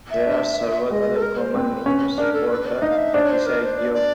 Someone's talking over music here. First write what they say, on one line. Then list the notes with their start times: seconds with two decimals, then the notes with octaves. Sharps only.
There are several other common names for the "passaggio".
0.10 E5
0.26 D4
0.91 G#3 D#5
1.16 A4
1.22 A#4
1.38 C5
1.54 C4 B4
1.86 C#4
2.18 D4 A#4
2.33 A4
2.49 B4
2.66 D5
2.82 D#4 D#5
2.90 F5
2.98 E5
3.14 D4 C5
3.23 C#5
3.31 C5
3.46 A#4
3.62 C5
3.78 D5
3.94 D5